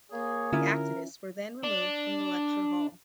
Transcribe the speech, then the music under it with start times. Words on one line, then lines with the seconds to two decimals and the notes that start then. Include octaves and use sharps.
The activists were then removed from the lecture hall.
0.12 A#3 G#4 C#5
0.53 D3 C#4 E4 F4 A#4
1.64 D4